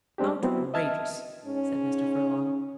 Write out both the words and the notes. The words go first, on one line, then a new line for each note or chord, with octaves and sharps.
"Outrageous!" said Mr. Furlong.
G3 G#3 C4 D4 G4
F#3 B3 C4 E4 F#4
D#5 E5 A5 F6 G#6
G#2 C#4